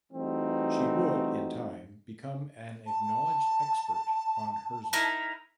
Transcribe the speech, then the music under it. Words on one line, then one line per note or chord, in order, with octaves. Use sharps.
She would in time become an acknowledged expert on Herzen.
E3 G3 A3 C4 D#4 F#4
A5
D#4 E4 A#4